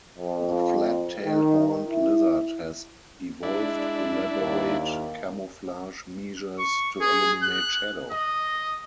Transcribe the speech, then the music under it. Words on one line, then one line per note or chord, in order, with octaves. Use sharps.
The flat-tail horned lizard has evolved elaborate camouflage measures to eliminate shadow.
F2
D#3
E4
G#3 D4 E4
D#2 A#3
C#6
G#4
F#6
D#5